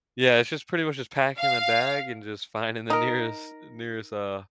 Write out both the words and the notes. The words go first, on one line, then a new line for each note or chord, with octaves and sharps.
yeah, it's just pretty much just packing a bag and just finding the nearest nearest, uh,
F5
D#4 A#4